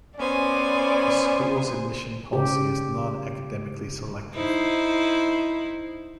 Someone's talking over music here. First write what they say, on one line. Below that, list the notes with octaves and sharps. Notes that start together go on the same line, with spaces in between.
The school's admission policy is non-academically selective.
B3 C#4 C5 D5 G#5
C#3 G4
D#4 E4 C5